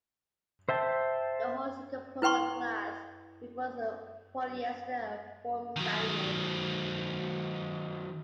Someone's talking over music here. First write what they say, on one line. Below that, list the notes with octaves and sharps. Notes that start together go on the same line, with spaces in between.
The hull is composed of glass reinforced polyester and foam sandwich.
C5 E5 G5 A5
E4 B4 G5 C6 C#6
D#3 F#3